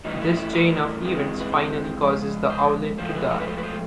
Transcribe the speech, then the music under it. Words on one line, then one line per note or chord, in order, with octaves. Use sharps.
This chain of events finally causes the owlet to die.
A2 E3 G3 D#4
E4
E4
A#4
C3 E3 G#3
B4
C5
C#3 F3 G#3
C5
G#2 F3 A3 C5
B4
C#5
B4
C5
B4
C5